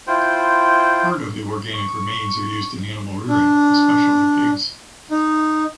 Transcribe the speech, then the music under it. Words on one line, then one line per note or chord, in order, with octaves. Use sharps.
Part of the organic remains are used in animal rearing, especially pigs.
E4 F4 C5 G5
C#6
D4
D#4